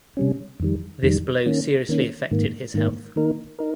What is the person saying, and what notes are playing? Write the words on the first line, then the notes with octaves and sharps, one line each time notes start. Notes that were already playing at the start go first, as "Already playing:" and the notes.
This blow seriously affected his health.
C3 G3 C#4
F2 D#3 G3
F2 D#3 G3
D#3 A#3 C#4
D#3 A#3 C#4
G#2 D#3 A#3
G#2 D#3 A#3
D#3 A#3 D#4 A#4
D#4 A#4